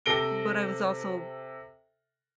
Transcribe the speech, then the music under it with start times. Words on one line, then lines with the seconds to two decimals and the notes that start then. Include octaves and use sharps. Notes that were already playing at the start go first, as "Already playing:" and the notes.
but I was also,
0.06 C3 A4 A#6 D7 G7